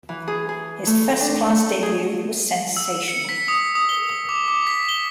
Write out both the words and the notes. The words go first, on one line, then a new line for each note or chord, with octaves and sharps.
His first-class debut was sensational.
E3
G#4
G#4
A3
D4
A3
G#4
E6
C#7
B6
D#6
D#6
G7
D6
D6
B6
G7